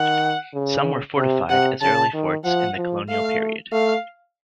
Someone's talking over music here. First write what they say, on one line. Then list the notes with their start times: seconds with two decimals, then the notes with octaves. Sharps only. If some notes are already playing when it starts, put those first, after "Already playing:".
Some were fortified as early forts in the colonial period.
Already playing: D#3 F#5
0.54 C#3
1.17 C3
1.49 C3 F#5
1.81 C#3 A5
2.14 D#3
2.45 F3 F#5
2.77 F3
3.09 A3 F5
3.72 A3 F5